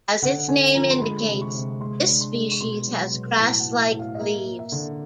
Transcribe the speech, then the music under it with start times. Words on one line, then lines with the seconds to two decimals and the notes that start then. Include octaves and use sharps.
As its name indicates, this species has grass-like leaves.
0.22 D3 F#5
0.48 D3 G#5
0.75 F3 A#5
0.90 C6
1.02 G#3 B5
1.28 C3
1.41 C#6
1.55 C3
1.80 G#3 C6
2.08 D4
2.21 C6
2.34 G#3
2.51 C#6
2.60 B2 C6
2.87 F#3
3.13 B2
3.40 A2 A5
3.60 F#5
3.66 A2
3.80 E5
3.93 A2
3.99 F5
4.15 D#5
4.19 A#3 E5
4.46 A#3
4.59 E5
4.72 D3